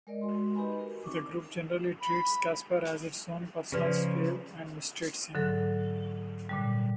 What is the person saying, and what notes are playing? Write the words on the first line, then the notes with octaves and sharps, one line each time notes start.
The group generally treats Casper as its own personal slave and mistreats him.
G#3 A#4 D5 D#5
G#3 F#4 C6
D#4 G4 B4 D#5 G#5 B5
F#4 G4 A#4
C4 D#4 C#6 D6
B5
C#3 F3 G4 B4 D5
G#2 D3 F#3 A4
A#2 D3 G3